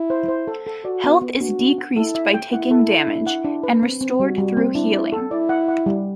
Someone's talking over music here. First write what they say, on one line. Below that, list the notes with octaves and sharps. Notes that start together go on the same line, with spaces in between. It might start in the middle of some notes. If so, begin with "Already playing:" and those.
Health is decreased by taking damage, and restored through healing.
Already playing: E4
C5
C5
A4
A4
F#4 D5
B3
B3
D4 F#4
D4
F#5
E4 A4
E5
G5
E4 F#5
A4
A4
D4
F#5
D4
B4
C4
C4
G3 F#4
G3
C4
D4 E4
D5
A4
E4 D5
F#5
F#5
G3